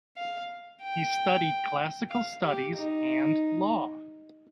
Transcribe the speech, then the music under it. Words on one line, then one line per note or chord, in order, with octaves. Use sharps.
He studied classical studies and law.
F5
G5
F5
G4
D#4